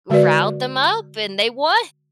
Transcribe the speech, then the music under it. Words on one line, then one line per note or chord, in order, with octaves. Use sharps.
riled them up, and they won.
D3 G#3 F#4 B4 D5